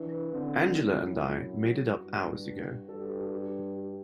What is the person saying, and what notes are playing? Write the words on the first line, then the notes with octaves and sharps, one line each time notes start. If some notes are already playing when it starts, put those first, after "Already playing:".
Angela and I made it up hours ago.
Already playing: E3 D4
D3 C4
F#2 E4
F#4
G2
G2 A4
G4
F#4
G4
G4